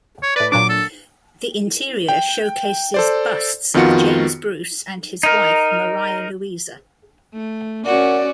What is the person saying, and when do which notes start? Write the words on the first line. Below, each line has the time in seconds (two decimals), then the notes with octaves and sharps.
The interior showcases busts of James Bruce and his wife, Maria Louisa.
0.23 C#5
0.36 A2 B4 D5
0.52 A#2 F#3 D4 D6
0.69 A4
2.09 G5
2.94 A4 C5 D5
3.74 F2 D#3 B3 F4 F#4 C#7
5.23 D#4 A#4
7.34 A3
7.86 C#4 F#4 A#4 D5 F#5